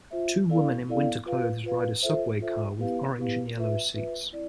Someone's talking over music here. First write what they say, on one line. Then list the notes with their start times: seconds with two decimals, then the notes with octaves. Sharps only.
Two women in winter clothes ride in a subway car with orange and yellow seats.
0.11 F4 C5 E5
0.49 B3 E4 A4 D5 F5
0.87 B3 E4 A4 D5 F5
1.26 F4 B4 F5
1.63 F4 B4 F5
2.03 F4 A4 C5 E5
2.40 F4 A4 C5 E5
2.78 B3 E4 G4 B4 F5
3.17 B3 E4 G4 B4 F5
3.55 F4 B4 E5
3.94 F4 B4 E5
4.32 C4 E4 D5